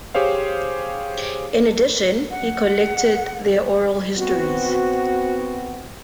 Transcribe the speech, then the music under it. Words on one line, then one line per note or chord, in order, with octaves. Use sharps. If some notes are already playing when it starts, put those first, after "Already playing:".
In addition, he collected their oral histories.
G4 G#4 C5 C#5 F5
F#5
B3 C4 F#4